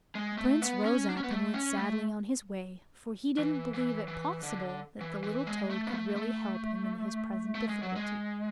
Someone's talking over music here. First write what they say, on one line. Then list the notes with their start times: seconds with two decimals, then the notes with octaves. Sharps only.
The Prince rose up and went sadly on his way, for he didn't believe it possible that the little toad could really help him in his present difficulty.
0.15 G#3
0.38 A3
0.62 B3
0.85 C#4
1.10 D4
1.17 C#4
1.24 B3
1.31 A3
1.54 C#4
1.77 A3
3.38 E3
3.74 E3
4.08 E3
4.43 D3
5.01 E3
5.23 E3
5.47 G#3
5.70 A3
5.87 B3
5.93 A3
6.16 A3
7.55 A3
7.69 G#3
7.83 F#3
7.96 G#3